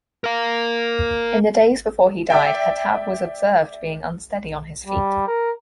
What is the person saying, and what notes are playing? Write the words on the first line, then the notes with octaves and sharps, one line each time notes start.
In the days before he died Hatab was observed being unsteady on his feet.
A#4 F5
D5 E5 G5
G3
A#4